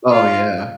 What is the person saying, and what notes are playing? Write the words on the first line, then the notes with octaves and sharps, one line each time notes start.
Oh, yeah.
F4